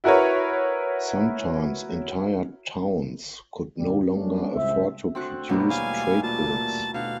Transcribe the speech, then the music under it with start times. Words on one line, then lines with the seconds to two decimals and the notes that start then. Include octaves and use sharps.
Sometimes entire towns could no longer afford to produce trade goods.
0.04 E4 F#4 A#4 B4 C#5
3.78 D2 A#2 E3 G3
4.14 G3 A3 B3 C#4 D4
4.55 C#2 A2 C4 E5
5.15 D2 C4 D4 F#4 F#6
5.49 D#2 B2 F#3 G3 A3 E4
5.70 F5 G#5
6.23 A#2 A5
6.94 D2 B2 F5 F#6